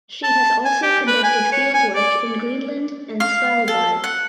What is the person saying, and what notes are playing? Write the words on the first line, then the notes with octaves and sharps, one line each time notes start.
She has also conducted fieldwork in Greenland and Svalbard.
A5
G#5
G4
B4
G#5
C#5
G#5
D5
F5
A4
F#5